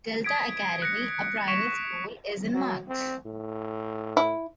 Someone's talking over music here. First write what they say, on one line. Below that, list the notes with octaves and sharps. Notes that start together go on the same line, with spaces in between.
Delta Academy, a private school, is in Marks.
D#6 G#6 B6 D7
F#6 A#6 C#7
C#6 B6 C#7 D7 E7 F7
F#3
C4
A2
E4